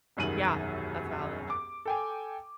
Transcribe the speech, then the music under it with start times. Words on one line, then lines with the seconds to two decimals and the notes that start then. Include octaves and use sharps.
Yeah, that's valid.
0.17 E1 C2 F#2 D#3 D#7 F#7
1.50 D6
1.85 A4 G5 G#5